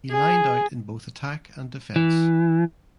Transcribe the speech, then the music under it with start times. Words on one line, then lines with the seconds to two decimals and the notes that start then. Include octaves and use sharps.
He lined out in both attack and defence.
0.11 G#4
1.96 E3